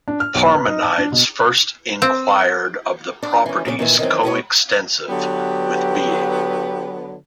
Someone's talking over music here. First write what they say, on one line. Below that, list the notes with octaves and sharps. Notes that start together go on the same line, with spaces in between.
Parmenides first inquired of the properties co-extensive with being.
D4
F6
B1
B4
D#4
A5
D4
B2
C4
D4
E3 C#4
A#2 C#3 A#4 D5
A#2 D#3 E3
D#3 E3 F#3 C4
B2 B3 G#4 C#5
D3 F#3 B3 G4